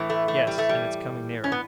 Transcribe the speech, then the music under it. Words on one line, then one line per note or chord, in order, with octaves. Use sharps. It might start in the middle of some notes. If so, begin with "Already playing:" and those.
"Yes, and it's coming nearer."
Already playing: A2 E3
A3
A3
G3
A3
G3
C#4
B3